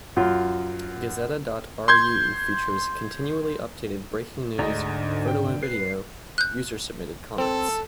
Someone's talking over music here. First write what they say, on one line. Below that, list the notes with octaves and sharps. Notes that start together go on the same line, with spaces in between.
Gazeta dot ru features continually updated breaking news, photo and video, user-submitted comments.
F#2 F4
C6 G6 G#6
D2 G#2 D3 D5 D#5 A#5
G5
B4 C7
F#6 G6
C4 A4